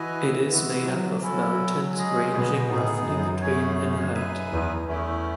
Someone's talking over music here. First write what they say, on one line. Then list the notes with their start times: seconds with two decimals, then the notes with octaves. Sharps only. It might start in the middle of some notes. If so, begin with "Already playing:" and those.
It is made up of mountains ranging roughly between in height.
Already playing: E3 F#4 B4 D#5 G#5
0.49 E3 G#3 B3 F#4
0.85 F#3
1.22 F#3 C#4 E4 A4
1.95 G#3 C#4 G#4 D#5
2.32 B2
2.68 A2 B3 D#4 G#4
3.04 F#2
3.41 A3 C#4 G#4 C#5
4.14 D#4 G#4 B4 E5 G#5
4.51 E2
4.87 E2 A3 C#4 E4